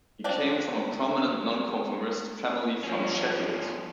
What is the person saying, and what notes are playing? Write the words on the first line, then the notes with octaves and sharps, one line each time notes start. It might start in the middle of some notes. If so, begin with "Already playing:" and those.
He came from a prominent nonconformist family from Sheffield.
F3 C4 D4 D5
F3 C#4